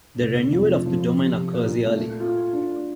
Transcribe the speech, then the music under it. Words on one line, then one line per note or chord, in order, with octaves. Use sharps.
The renewal of the domain occurs yearly.
F1
F2
F3
C3
A#2
A3
F4
D4